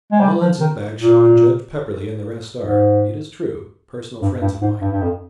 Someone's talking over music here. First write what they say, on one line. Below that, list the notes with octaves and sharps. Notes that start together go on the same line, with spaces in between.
Mullins and Bagshaw and Judge Pepperleigh and the rest are, it is true, personal friends of mine.
G#3
G3
F3
D#3
A#2
G#2
G2
G2
G#2
G2
G2
F2